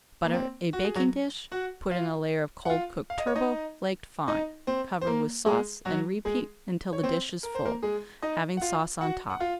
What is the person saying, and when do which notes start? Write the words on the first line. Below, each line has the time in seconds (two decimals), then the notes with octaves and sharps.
Butter a baking-dish, put in a layer of cold cooked turbot flaked fine, cover with sauce, and repeat until the dish is full, having sauce on top.
0.24 A#3
0.34 C4
0.73 F#4
0.84 G#4
0.96 F#3 F#4
1.52 F#4 F#5
1.91 F4 F5
2.65 F#5
2.70 F4 F5
3.10 F5
3.18 D#5
3.27 C#5
3.36 D#4 D#5
4.28 D#4 D#5
4.67 C4 C5
5.01 C5
5.07 A#3 A#4
5.46 G#3 G#4
5.85 F#3 F#4
6.25 G#3 G#4
6.93 C#5
7.03 C4 C5
7.43 A#4
7.55 C5
7.65 A#3 A#4
7.83 G#3 G#4
8.23 D#4 D#5
8.57 F#5
8.61 F4 F5
9.01 F#4 F#5
9.30 F#5
9.40 F4 F5